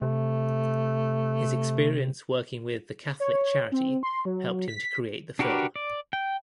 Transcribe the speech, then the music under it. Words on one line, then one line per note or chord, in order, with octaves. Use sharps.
His experience working with the Catholic charity helped him to create the film.
C3 A3
C#5
C4
C6
F#3
B6
D4 F#4 G4 A#4 B4
D5
G5